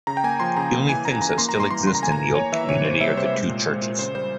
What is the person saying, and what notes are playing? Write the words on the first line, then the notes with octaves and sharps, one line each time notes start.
The only things that still exist in the old community are the two churches.
C#3 A#5
G5
A#3 G#5
F3 C6
C#3 A#5
A#3
E3 G#5
A#3 A#5
E3 A#5
A#3 C6
A#5
G3
C6
E3 C6
C#3 C6
A#5
A#3 G#5
A#5
E3
A#3 C#5
E3 E5
C3 C#5
A#3 C5
G3 E5
C3 C5
G#3
A#2
G#3
A#2
C#3 C5
G3 C5